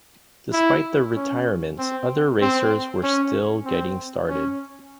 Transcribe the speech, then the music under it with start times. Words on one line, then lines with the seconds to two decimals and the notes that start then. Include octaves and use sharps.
Despite the retirements, other racers were still getting started.
0.53 E4
1.15 C#4
1.78 C4
2.41 C4
3.03 C#4
3.66 C4
4.28 C#4